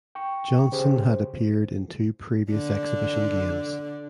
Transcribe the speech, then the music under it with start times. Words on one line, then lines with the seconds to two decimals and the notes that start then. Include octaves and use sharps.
Johnson had appeared in two previous exhibition games.
0.15 G5 C#6
0.72 C#3 G4 G#4 C5
2.51 D3 D4